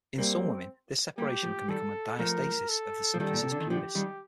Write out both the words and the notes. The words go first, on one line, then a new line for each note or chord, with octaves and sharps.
In some women this separation can become a diastasis of the symphysis pubis.
G3 A#3 C4
G3 A#3 G4
F3 A3
D#3 G3 A4
F3 A3 A#4
A4
F3
D#3 G3 A4
A#2
C3
D3
D#3
D3 F3 G4
D#3 G3